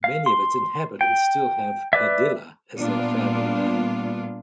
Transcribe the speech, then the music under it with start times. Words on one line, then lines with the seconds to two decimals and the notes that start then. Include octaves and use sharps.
Many of its inhabitants still have "Padilla" as their family name.
0.04 F5
0.26 C6
1.01 G5
1.93 B4 D5 E5
2.77 A#2 G3 B3 D4 F4